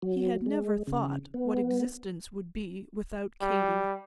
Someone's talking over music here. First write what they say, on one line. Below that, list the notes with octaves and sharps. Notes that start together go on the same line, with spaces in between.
He had never thought what existence would be without Katy.
F#3
G#3
C#3
B3
G3